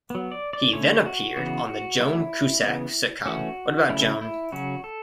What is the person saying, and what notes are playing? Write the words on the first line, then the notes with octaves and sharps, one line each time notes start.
He then appeared on the Joan Cusack sitcom What About Joan?
F#3 B3
D5
D5
D3 A3 C#4 C#5
F#4
C#3 E3 B3 F#4
F#4
F#3 A3 C#4 E4
C#3 E3 B3
E3 A3 C#4 F#4
C#3 F#3 A3 C#4 E4
E4
C#3 F#3 C#4 F#4
A4